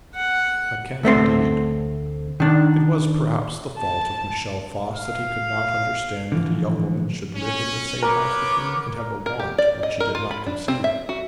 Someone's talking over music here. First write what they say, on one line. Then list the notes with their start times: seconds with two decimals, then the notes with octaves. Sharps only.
I can't indeed.' It was perhaps the fault of Michel Voss that he could not understand that a young woman should live in the same house with him, and have a want which he did not conceive.
0.15 F#5
1.03 D2 A3 C4 C5
2.40 D#3 D4
3.79 A5
4.93 F5
6.32 D3 E3 F3
7.35 C#4
8.02 B3 A#4 B4 C#5 D6
9.26 A#4
9.39 G4
9.58 D5
9.83 D#5
10.00 A#4
10.15 F4
10.31 B5
10.46 D4
10.68 C4
10.84 E5
11.09 F#4